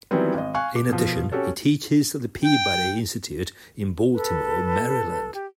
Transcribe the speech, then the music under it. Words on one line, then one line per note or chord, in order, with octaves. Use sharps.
In addition, he teaches at the Peabody Institute in Baltimore, Maryland.
D#3 E3 F#3 G3 B3 C4
G#1 D#5
F5 G#5 C#6 F#6
D6
B2 F3
C#4 F#4 G4 A4 C#5
G5
A4 B4
G4